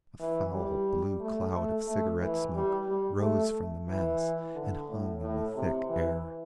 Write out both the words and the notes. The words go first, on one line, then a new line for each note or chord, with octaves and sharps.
A foul blue cloud of cigarette smoke rose from the mass and hung in the thick air.
E3
G3
A3
A3
A3
E3
G3
G3
A3
E3
D3
A2
A2
C3
E3